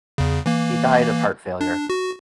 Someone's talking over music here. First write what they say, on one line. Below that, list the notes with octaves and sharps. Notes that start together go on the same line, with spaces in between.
He died of heart failure.
E2 C#3
E3 A#3
D4
F#4